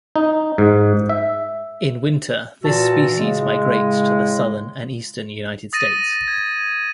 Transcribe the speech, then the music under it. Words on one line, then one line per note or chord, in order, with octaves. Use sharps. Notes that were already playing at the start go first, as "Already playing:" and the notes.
In winter, this species migrates to the southern and eastern United States.
D#4
G#2
E5
A#2 E3 F#4 A5 E6
A2 C#3 G#3
D#6 A6 A#6 D#7
G#6